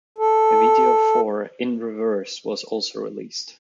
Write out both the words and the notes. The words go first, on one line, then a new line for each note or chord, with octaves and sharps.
A video for "In Reverse" was also released.
A4